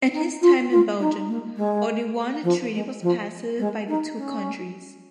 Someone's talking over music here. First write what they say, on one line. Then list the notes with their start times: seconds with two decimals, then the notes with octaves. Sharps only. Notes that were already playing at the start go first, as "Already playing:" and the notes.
In his time in Belgium, only one treaty was passed by the two countries.
0.13 D#4
0.41 F4
0.71 F4
0.99 D#4
1.28 A#3
1.56 G#3
2.43 F3
2.73 G#3
3.02 F3
3.58 G#3
3.88 D#4
4.16 C#4